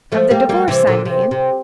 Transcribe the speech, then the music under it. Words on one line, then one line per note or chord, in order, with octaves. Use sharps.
"Of the divorce, I mean?"
F3 A3
G3 A#3
G3 A#3
C3 E3
A#2 D3
C3
C3